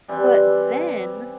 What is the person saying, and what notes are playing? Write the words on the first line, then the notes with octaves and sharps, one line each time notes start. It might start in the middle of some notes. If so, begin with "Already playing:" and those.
But then
E3 G3 C4